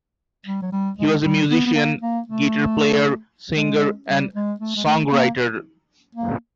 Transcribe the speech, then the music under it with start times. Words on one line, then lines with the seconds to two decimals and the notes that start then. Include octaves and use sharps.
He was a musician, guitar player, singer, and songwriter.
0.46 G3
0.62 F#3
0.72 G3
0.99 G#3
1.24 G3
1.50 B3
1.66 B3
1.75 A#3
2.02 A#3
2.27 A3
3.56 G#3
4.08 G3
4.35 G#3
4.60 A3
4.76 G#3
4.85 A3
5.12 A#3
6.15 A#3